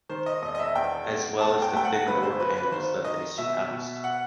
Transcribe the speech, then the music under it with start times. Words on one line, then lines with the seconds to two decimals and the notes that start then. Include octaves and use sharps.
As well as the thin door panels that they surpassed.
0.09 D#3 C5
0.26 D#5
0.42 E1 D#5
0.55 D#5
0.59 E5
0.75 E2 G5
1.08 E2
1.40 E2 A5
1.62 G5
1.73 A3 G5
1.85 F#5
2.07 G1 B4
2.23 C5
2.39 F#3 B4
2.57 B4
2.72 D#3 C5
3.05 D#3 D#5
3.38 B2 E5
3.71 B2
4.04 F#5